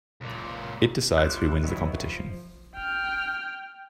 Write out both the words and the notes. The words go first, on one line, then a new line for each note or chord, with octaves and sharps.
It decides who wins the competition.
C#2 A#2
G3 E4 F4 F#6
D#3 F#3 B3 E4
F3
G5 F6